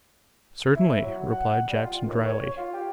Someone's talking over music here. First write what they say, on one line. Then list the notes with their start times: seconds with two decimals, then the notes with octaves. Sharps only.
'Certainly,' replied Jackson drily.
0.75 E4
1.02 F#3
1.31 F#5
1.69 G3
1.83 F4
2.07 D#2
2.26 C#5
2.58 F4
2.74 G4